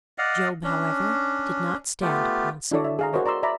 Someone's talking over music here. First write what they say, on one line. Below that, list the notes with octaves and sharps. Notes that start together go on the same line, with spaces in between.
Job, however, did not stand upon ceremony.
D5 D#5 F5 F#5
C#4 D4
A3 B3 F4 G4
D4 E4 F#4 A4 C#5 D5
E5
G#4 F5 A#5
F#4 A#4 C5 C#5 D#5
D5 A#5 C6 E6
D5 E5 A#5 B5